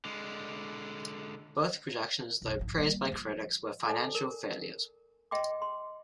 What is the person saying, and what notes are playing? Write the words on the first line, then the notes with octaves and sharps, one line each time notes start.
Both productions, though praised by critics, were financial failures.
D3 G#3
B1 F#2
G#1 F3
G3 A#3
F3
A4 D5 G#5 A5
A#4
D#5 E5 G5 C6 D6
C6